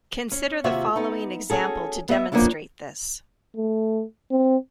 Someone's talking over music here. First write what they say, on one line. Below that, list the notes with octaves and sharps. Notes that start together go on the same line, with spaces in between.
Consider the following example to demonstrate this.
C#4
D#2 C3 F4 F#4 E5
B3 D#4
C#4 F#4 G#4 A4
B3 D#5 E5
F3 A#3 B3 C#4 D4 E4
A3
C4